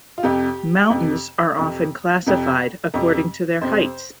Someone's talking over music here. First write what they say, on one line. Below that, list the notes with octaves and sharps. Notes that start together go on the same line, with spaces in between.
Mountains are often classified according to their heights.
F4
F2 C3 G4
F2 C3
F2 C3
F2 C3
F2 C3
F2 C3 C5